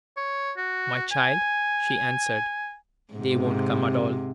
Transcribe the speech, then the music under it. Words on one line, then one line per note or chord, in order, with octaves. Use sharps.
"My child," she answered, "they won't come at all."
C#5
F#4
G#5
G#2 C3